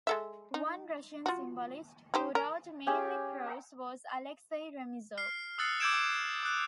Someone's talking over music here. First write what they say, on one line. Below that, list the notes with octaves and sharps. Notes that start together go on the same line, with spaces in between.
One Russian symbolist who wrote mainly prose was Alexei Remizov.
G#3 A4 E5
D#4
F4 F#4
D#4 G4 C5
A#4
C#4 G4 G#4
F6 C7
D#6 E6 F#6 A6 C7 C#7
D6 E6 G6 G#6 D7 E7
D#6 F#6